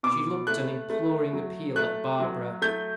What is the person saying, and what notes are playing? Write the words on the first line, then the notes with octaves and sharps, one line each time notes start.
She looked an imploring appeal at Barbara.
B2 D6
A3 F#6
A3
F#3
A3 F#6
F#3
A3 G6